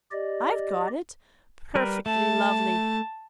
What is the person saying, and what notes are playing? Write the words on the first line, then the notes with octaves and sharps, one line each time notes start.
'I've got it! perfectly lovely!
G4 D5 D#5
G3 A#4 B4
A3 A5